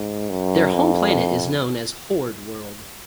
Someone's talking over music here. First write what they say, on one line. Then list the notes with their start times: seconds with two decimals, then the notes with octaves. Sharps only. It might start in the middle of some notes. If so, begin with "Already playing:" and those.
Their home planet is known as Horde World.
Already playing: G#2
0.30 F#2
0.73 F2